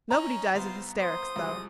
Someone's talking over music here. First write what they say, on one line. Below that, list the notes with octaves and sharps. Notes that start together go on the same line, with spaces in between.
Nobody dies of hysterics, though.
C#4 D#4 D#5 A#5
C2 B3 F4 C5
C5 D#6
C2 F3 G#3